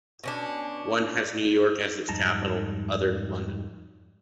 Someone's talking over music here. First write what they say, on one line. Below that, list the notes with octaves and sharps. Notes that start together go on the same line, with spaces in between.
One has New York as its capital, other London.
B2 C#4 D4
F2 G#2 G3 D#4 A5 A#5